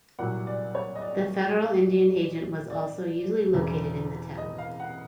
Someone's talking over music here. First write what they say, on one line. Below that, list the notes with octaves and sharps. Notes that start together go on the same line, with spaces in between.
The federal Indian Agent was also usually located in the town.
C2 A#2 F#3 F#5
D5
C#5
D#5
D5
D5
E1 E2 C#3 E3
D#5
F5
F#5